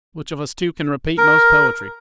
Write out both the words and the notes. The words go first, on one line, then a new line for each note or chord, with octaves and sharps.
Which of us two can repeat most poetry?
A#4